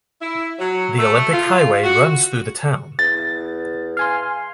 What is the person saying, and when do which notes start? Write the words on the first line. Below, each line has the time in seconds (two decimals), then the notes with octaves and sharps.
The Olympic Highway runs though the town.
0.22 E4
0.59 F#3
0.98 A3
1.32 F4
1.84 F#4
2.99 E2 A6
3.97 F5 G#5 C6